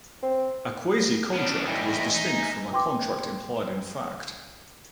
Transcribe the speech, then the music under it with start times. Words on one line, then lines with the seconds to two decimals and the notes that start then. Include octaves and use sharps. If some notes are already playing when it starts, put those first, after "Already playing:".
A quasi-contract was distinct from a contract implied in fact.
0.22 C4
1.34 B3 C#4 D4
1.65 E2 G3 D#5 E5 G#5
2.16 D#4
2.71 B4 G5 C6 D6